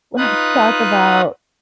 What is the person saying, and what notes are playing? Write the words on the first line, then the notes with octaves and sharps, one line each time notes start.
let's talk about
D#4 F4 B4 D#6 F#6